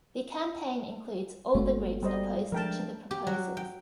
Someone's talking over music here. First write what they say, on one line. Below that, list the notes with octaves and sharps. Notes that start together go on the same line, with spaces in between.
The campaign includes all the groups opposed to the proposals.
G1 G#3 A#3 B3 F#4 A4
G3 C5 D#5
F3 G#3 A3 D4 A#4 G5 A5
G4
F#3
G5